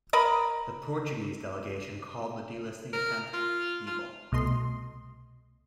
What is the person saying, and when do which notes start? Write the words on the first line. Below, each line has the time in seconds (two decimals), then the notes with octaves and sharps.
The Portuguese delegation called the delisting attempt "feeble".
0.13 A#4 D#5 A#5 B5
2.93 A#4
3.34 F4
3.87 F4
4.32 C2 B2 A3 D#5 C6